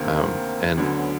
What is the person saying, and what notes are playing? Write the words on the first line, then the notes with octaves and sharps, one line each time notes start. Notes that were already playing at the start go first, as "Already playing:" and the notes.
um, and
Already playing: D2 C3 D#3 A#3 C4
D2 D3 F#3 B3 C#4
B3 C#4